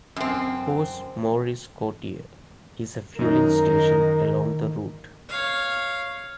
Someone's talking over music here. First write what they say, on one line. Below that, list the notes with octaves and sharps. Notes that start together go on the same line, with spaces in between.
Poste Maurice Cortier is a fueling station along the route.
F#2 C4
F#2 D#3 D#4 A#4
C#5 F5